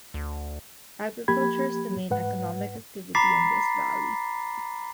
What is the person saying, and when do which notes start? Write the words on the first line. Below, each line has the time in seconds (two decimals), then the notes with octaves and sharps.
Agriculture is the main economic activity in this valley.
0.14 D2
1.28 F3 A#3 G4 B5 G#6
2.11 G#2 B4 F#5
3.15 A#5 B5 D6 A6 B6 C7